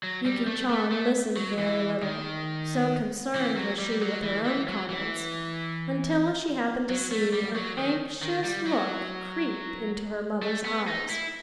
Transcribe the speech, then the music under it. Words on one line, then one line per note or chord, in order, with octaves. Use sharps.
Yuki Chan listened very little, so concerned was she with her own comments, until she happened to see an anxious look creep into her mother's eyes.
F#3
G3
A3
A3
A3
F#3
E3
D#3
E3
F#3
G3
F#3
E3
E3
F#3
E3
F#3
A3
G3
F#3
D#3
D#3
G3
F#3
A3
B3
D#4
E4